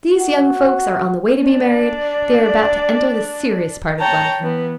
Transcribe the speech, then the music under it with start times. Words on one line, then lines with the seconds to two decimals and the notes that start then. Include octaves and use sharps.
These young folks are on the way to be married; they are about to enter the serious part of life.
0.19 F#4
1.44 D4 D5
4.00 C#5 G5 A5 A#5
4.39 E3 B3